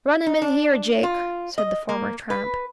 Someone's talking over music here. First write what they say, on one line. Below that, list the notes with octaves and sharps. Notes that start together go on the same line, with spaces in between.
"Run him in here, Jake," said the former tramp.
D#4
D4
F4
D#5
A#3
B4